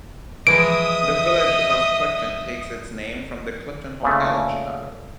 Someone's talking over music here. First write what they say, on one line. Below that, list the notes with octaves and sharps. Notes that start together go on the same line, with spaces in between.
The village of Clifton takes its name from the Clifton Hotel in Chicago.
E3 F3 G#3 D#5 E5 D#6 D7
A#2 C#3 A3